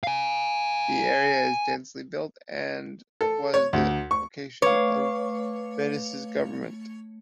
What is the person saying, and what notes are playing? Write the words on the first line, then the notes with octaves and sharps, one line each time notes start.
The area is densely built and was the location of Venice's government.
F5 G#5
A4
C#5
D2
C#6
A3 B4 C#5 F5 D6